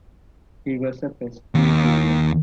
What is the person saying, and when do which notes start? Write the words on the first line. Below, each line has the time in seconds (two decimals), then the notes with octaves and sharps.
He was a Presbyterian.
1.55 D#2